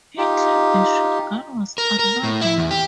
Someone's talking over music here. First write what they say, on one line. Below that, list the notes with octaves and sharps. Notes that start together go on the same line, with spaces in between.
He claimed the shotgun was unloaded.
D#4 F4 G4
A#4
A#4
A2
E4
E2
G4